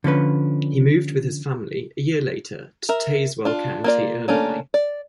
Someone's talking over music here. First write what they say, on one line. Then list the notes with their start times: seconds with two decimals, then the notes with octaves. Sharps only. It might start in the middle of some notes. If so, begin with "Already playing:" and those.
He moved with his family a year later to Tazewell County, Illinois.
0.04 D3 F3 C#4 B4
2.89 A#4 E5
3.45 D4 F4
3.84 A#3 F4 D5
4.28 A3 A#3 C#4 D4
4.74 D5